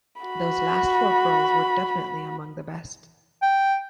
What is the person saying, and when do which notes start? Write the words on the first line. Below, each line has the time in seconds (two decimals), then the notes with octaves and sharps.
Those last four girls were definitely among the best.
0.22 F#4 B5
3.42 G5